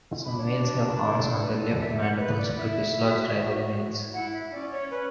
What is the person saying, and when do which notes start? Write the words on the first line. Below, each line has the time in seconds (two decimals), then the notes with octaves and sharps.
Some males have horns on their left mandibles to dislodge rival males.
0.24 D4 B5
0.37 C#5
0.44 D5
0.59 B4
0.63 C#5
0.83 B4
1.02 A4
1.21 A4
1.41 B4
1.61 A4
1.75 D5
1.80 E5
1.99 F#5
2.19 B4
2.38 D5
2.57 E4 E5
2.97 F#4
3.36 F#4
4.13 E4 F#5
4.33 E5
4.52 C#4 D5
4.72 C#5
4.91 B4